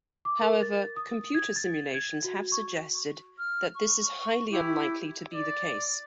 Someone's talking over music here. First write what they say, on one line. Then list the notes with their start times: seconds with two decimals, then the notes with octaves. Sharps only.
However, computer simulations have suggested that this is highly unlikely to be the case.
0.25 D6
0.41 A#4
0.63 A6
0.96 D#6
1.35 G#6
1.56 A6
1.94 G#6
2.24 F#4
2.52 C#6
3.39 F6
3.74 C#6
4.49 E4 G4
5.34 D5